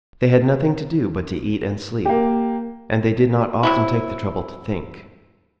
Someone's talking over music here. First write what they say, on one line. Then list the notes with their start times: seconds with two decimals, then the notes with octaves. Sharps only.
They had nothing to do but to eat and sleep, and they did not often take the trouble to think.
2.05 A#3 G4
3.63 C3 F#3 E4